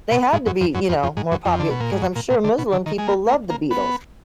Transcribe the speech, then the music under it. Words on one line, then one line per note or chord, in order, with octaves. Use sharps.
they had to be, you know, more popu 'cause I'm sure Muslim people loved the Beatles.
B2
G#2
F#2
F2
F#2
F2
F2
G#2
F#2
F2
D3
B2
A#2
G#2
F#2
A#2
A#2
D3
B2
D3
D#3
G#3
A#3
A#3
A#3
B3